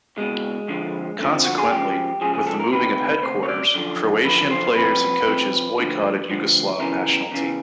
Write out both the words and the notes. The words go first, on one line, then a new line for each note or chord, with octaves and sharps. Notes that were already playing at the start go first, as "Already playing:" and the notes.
Consequently, with the moving of headquarters, Croatian players and coaches boycotted Yugoslav national team.
C#2 B2 G#3
F2 D3 F3
F2 D3 F3 A3
C4
F#4
G#4
C#2 C#3 F3 G4
C#2 C#3 F3 G#4
G#4
A4
A#4
D2 C3 D#3 B4
D2 C3 C5
C#5
D5
F#2 D3 F3
F#2 D3 F3 B4
C5
C5
F2 C3 F3 B4
F2 C3 F3
D2 D3 F3
D2 D3 F3
E2 C#3 E3 A#4
E2 C#3 E3